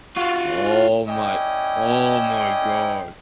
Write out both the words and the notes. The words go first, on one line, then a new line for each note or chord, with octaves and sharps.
Oh my oh my god.
F4 F#4
C#4 E4 D5 D#5 G5